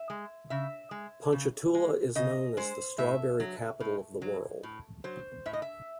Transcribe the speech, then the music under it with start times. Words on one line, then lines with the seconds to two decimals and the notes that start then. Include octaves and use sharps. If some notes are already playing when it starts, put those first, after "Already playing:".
Ponchatoula is known as the "Strawberry Capital of the World".
Already playing: E5
0.10 G#3
0.50 C#3 E5
0.91 G#3
1.32 C#3
1.74 G#3
2.15 C#3 D#5
2.57 G#3 C5
2.98 A2 E5
3.40 F#3
3.80 A2
4.22 F#3
4.63 A2
5.04 F#3 C5
5.46 A2 E5
5.53 D#5
5.62 E5